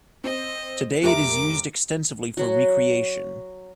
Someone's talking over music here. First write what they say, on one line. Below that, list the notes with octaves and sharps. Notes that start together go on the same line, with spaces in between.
Today it is used extensively for recreation.
C4 D#5
F1 G4 A#4 E5 A#5 D6
F#3 F#4